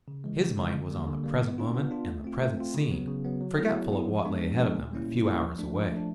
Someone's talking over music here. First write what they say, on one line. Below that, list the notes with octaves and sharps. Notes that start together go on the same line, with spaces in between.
His mind was on the present moment and the present scene, forgetful of what lay ahead of them, a few hours away.
C#3
E3 G#3
C#3
E3 G#3
D3
G3 A#3
D3
G3 A#3
B3
D4 F4
B3
D4 F4
A3
C4 F4
A3
C4 F4
C#3
F#3 B3
C#3
F#3 B3
F#3
B3 E4 G#4
F#3
B3 E4 G#4
F3
G#3 B3 D4
F3
G#3 B3 D4
A#2
G3 A#3 C#4 E4
A#2
G3 A#3 C#4 E4
F3
A3 D4
F3
A3 D4